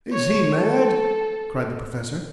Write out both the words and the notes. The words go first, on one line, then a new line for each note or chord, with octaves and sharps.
"Is he mad?" cried the Professor.
C#5
A4